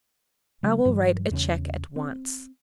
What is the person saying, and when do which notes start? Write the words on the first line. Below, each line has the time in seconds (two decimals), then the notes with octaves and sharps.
I will write a cheque at once.'
0.63 C#3 F#3 G#3
0.85 G2 E3 F#3
1.31 E2 C#3 A3 C#4
1.96 C4